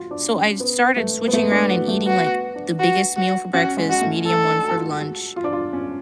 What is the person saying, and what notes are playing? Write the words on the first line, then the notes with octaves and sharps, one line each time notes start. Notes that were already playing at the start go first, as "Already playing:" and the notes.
so I started switching around and eating, like, the biggest meal for breakfast, medium one for lunch,
Already playing: F4 F#4
D4
C#4
B3
A3
B3
A3
D4
F#4
A3
B3 F#4
D4
F#4
F#4
C#4 F#4
G#3
F#4
A3
A4
D4
F#4
F4
F#4
G#4
F#4
F4
D4
F4
C#4